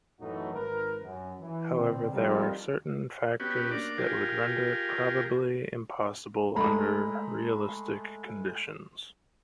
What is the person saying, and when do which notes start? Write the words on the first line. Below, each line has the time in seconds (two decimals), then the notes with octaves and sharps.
However, there are certain factors that would render it probably impossible under realistic conditions.
0.20 F#2 A2 E3 A3 D#4 F#4
0.52 G#1 A#4 B4
1.03 F#2
1.40 E3
1.74 B2 D3 C4
2.13 F3 G3 C4 D#4 A4 A#4
3.40 B3 C#4 F#4 G4
3.71 A#3 D4 D5
3.98 F4 G4 G#4 A#4
6.56 G#3 A3 A#5 B5